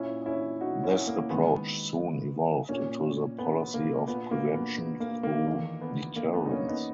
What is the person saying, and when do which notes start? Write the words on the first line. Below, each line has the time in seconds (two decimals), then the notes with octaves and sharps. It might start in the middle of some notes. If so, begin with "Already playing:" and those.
This approach soon evolved into the policy of Prevention through Deterrence.
Already playing: A#2 C#4 E4
0.26 C#4 E4
0.61 D#4 F#4
0.84 C#4 E4
1.07 A#3 C#4
1.30 G#2 D#3 B3
2.69 A#2 A#3 C#4
3.38 B3
3.74 A#3
4.08 A#2 B3
4.31 A#3
4.54 B3
4.78 B3
5.00 A#3
5.23 A#3
5.46 E2 D#3 A#3
5.81 B3
6.16 A#3
6.34 B3
6.45 D#4
6.51 A#3 C#4
6.68 B3 D#4